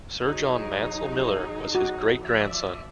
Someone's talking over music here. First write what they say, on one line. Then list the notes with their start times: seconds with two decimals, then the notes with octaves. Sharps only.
Sir John Mansel Miller was his great-grandson.
0.24 F#3 D#4 G#4
1.75 F#4
2.23 F3 D5 E5